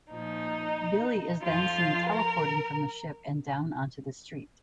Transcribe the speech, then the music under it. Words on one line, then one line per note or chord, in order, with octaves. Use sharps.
Billie is then seen teleporting from the ship and down onto the street.
A#2 F3 D#4
F2 F3 F4
A#4